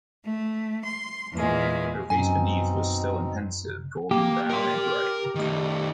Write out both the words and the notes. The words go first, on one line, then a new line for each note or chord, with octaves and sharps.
Her face beneath was still and pensive, golden-brown and ruddy.
A3
C6
E2 A#2 G#3
F#2 B2 C4 D#4 G#5
A#3 G4
A#4 C6
D#3 A3